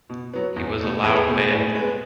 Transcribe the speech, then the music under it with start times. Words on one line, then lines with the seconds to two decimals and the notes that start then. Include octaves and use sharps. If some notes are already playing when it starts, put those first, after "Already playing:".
He was allowed bail.
0.10 B2
0.33 F#3 B3
0.56 E2
0.81 B2 A3
1.03 E2 G#4 B4
1.27 B2 A3
1.51 A2
1.75 G#3 B3